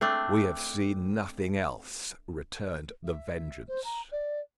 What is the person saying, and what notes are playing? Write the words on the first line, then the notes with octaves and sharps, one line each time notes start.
"We have seen nothing else," returned The Vengeance.
A3 C4 D4
E5
C5
A#5
D5